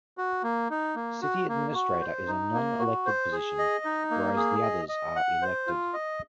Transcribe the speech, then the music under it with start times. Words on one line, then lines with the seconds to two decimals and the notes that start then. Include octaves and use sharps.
City Administrator is a non-elected position, whereas the others are elected.
0.18 F#4
0.43 A#3
0.70 D#4
0.95 A#3
1.22 F#4
1.49 A#3
1.74 F#4
2.01 C5
2.28 D#4
2.54 A#3
2.80 F#4
3.06 C5
3.32 G#4
3.59 D#5
3.85 D#4
4.11 A#3
4.36 G#4
4.62 D#5
4.89 D#5
5.16 F#5
5.42 C5
5.67 F4
5.93 D#5